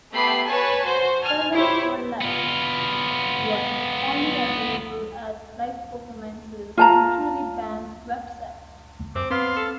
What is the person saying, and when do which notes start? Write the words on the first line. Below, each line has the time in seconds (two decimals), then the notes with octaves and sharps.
"Felons for Life" was only available at live performances and through the band's website.
0.13 A3 B3 G4 B5 C7
0.46 B4 C#5 G#5 A5
0.85 F#4 C5
1.21 G#5 A5 F6
1.53 E4 G4 C5 C#5
2.21 B3 F4
6.77 F4 A5 A#5
9.15 F#2 C4 D6
9.31 B3 C4 F5 C6
9.56 A4